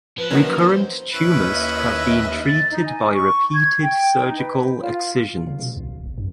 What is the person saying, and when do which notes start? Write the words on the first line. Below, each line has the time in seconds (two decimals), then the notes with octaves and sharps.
Recurrent tumors have been treated by repeated surgical excisions.
0.18 F3 B4
0.31 F#3 A#3 C#4 D#4 F#4
0.56 C5
1.13 D#2 C#4 E4 B4 D#5 E5
2.45 A6
2.71 D#4
2.86 G#5
3.14 C#6
3.54 G#6
3.82 G5
4.24 D#4
4.38 B4
4.81 F4
5.47 C#3
5.59 B2
5.77 C2
5.89 D#1
6.06 G1
6.18 F#2